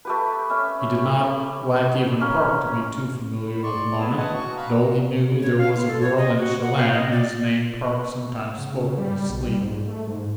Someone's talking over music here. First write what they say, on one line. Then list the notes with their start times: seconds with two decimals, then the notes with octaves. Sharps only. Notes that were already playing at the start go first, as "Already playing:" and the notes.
He did not like even Park to be too familiar with Mona, though he knew there was a girl in Shellanne whose name Park sometimes spoke in his sleep.
0.05 A3 G4 B4
0.49 C#4 E5
0.97 G4
2.21 A#3 C#4
3.47 B5
3.63 D5 C6 C#6
3.97 B3 E4 G#4
4.17 B4 D#5 F#5 G#5 A5
4.34 F#4 C#6
4.57 F5 A#5 B5 F#6
5.42 C#5
5.58 F5
5.75 F4
5.87 A4
6.01 C#5
6.17 D#5
6.37 F#4
6.62 F#5
6.77 F5
6.92 D#5
7.11 D5
8.58 C#3
8.98 G3
9.30 B1
9.47 G3
9.61 G#2
9.87 A3
10.07 G#2